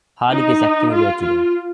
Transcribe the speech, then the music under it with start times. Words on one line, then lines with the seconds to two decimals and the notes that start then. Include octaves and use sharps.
Hardik is acting weird today.
0.31 D#4
0.92 F4
1.22 F4